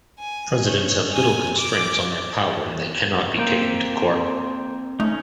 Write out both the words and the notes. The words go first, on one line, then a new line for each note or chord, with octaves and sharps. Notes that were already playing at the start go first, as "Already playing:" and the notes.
Presidents have little constraints on their power and they cannot be taken to court.
G#5
C#5
G#5
D6
A#3 C4 G5
A3 C#4 D#4